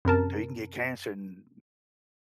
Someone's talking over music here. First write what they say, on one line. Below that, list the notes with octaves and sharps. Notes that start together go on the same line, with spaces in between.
So you can get cancer n
F#2 C3 A#4 A5